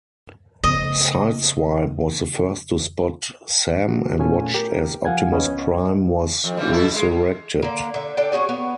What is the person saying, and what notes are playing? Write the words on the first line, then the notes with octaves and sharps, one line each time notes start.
Sideswipe was the first to spot Sam and watched as Optimus Prime was resurrected.
F2 C#3 A3 B3 D#5
F#4
A#2 A3 B3 C#4 F4 G#5
G4 A#4
F3 F5 F#5 G#5 G#6
C#2 B3 C#4 D#5
F2
C#3 E3 G3
B2 E4 A4
G#3
D3 A#3
D3 E5
D4 A4 D5 G5
C#4 D#4 F#4 G#4
B3